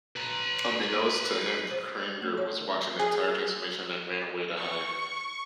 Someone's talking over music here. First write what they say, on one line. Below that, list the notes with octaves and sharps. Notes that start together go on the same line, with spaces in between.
Unbeknownst to him, Cringer was watching the entire transformation and ran away to hide.
B4 A#5
C5
A3
C#5
G#4
C#6